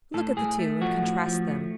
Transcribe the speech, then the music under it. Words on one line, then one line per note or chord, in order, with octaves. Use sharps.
Look at the two, and contrast them.
A2 A4
A2 G#4
A3
F3 F#4
A2
F3
A3